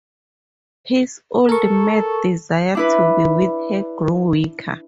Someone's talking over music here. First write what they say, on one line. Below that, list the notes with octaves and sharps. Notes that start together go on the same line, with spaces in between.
His old mad desire to be with her grew weaker.
A4 A#4 C#6
D4 E4 B4